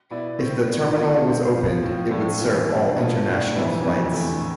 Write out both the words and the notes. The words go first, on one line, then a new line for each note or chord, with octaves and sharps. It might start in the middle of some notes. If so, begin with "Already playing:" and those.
If the terminal was opened, it would serve all international flights.
B2 B3 E4 B4 D5
A2 G3 C4
B2 A3 D4
B2 A3 D4 F4 B4
C3 G3 C4 G4
F3 C4 F4
A2 F3 C4
A2 F3 A3 D4 A4
E3 B3 E4 G4
B2 G3 D4
B2 B3 F4 A4
A2 G3 D4
F2 E3 B3 E4
F2 C3 E3
E2 D3 A3 E4
A2